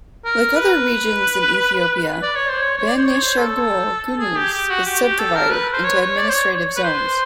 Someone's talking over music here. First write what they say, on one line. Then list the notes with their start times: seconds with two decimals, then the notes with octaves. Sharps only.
Like other Regions in Ethiopia, Benishangul-Gumuz is subdivided into administrative zones.
0.25 A#4
0.57 B4
2.22 D5
2.35 C#5
2.49 C5
2.62 C#5
2.77 C#5
2.88 D5
2.97 C5
3.05 C#5
3.22 C5
3.38 A4
4.20 G#4
4.37 G4
4.53 G4
4.70 F#4
4.86 G4
5.02 G4
5.19 A4
5.36 A#4
5.52 B4
5.73 C5
5.84 C#5
6.02 C#5
6.18 D5
6.29 C5
6.34 C#5
6.76 B4
6.84 C5